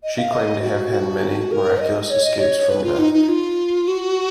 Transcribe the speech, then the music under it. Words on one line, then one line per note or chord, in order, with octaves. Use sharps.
She claimed to have had many miraculous escapes from death.
D#5
F5
D#5
F#4
F#4
A#4
D#5
C#5
D#5
C#5
B4
F4
D#4
D#4
F4
F#4